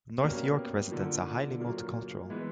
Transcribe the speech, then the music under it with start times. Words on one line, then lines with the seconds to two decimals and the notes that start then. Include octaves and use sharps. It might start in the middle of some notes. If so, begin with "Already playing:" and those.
North York residents are highly multicultural.
0.20 B2 G3 A#3 C#4
0.91 D3 F3 A#3
1.60 A#2 F#3 A#3
2.30 E3 G#3 B3